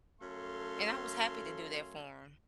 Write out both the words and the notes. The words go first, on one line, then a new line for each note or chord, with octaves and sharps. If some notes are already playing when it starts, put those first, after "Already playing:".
And I was happy to do that for him.
F#2 A3 A4 C#5 F5 C6